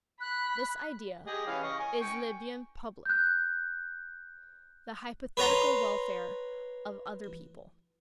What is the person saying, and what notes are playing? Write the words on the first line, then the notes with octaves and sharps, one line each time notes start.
This idea is le bien public, the hypothetical welfare of other people.
B5 F#6
G4 G#4 D#5
E3 C#4 F5
D#5 C#6
G#5
G5 G#5 C#6
F#6 G6
B4 C#5 A#5 C6